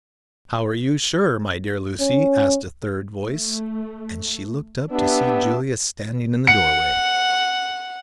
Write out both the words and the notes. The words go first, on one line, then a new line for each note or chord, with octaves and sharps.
"How are you sure, my dear Lucy?" asked a third voice, and she looked up to see Julius standing in the doorway.
C#4
A3
B3 D4 G4 E5
F#5 C#7